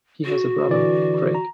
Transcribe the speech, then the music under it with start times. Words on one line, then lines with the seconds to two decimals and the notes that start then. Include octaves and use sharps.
He has a brother, Craig.
0.25 F#4
0.69 D3 E3 D5
1.35 A#5